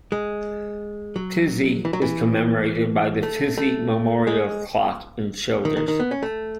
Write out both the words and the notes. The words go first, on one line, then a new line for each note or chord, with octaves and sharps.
Pizzey is commemorated by the Pizzey Memorial Clock in Childers.
G#3
F#3
E3
F#3
E3
A3
A3
G#3
D#3
D#3
D#3
B3
C#4
A3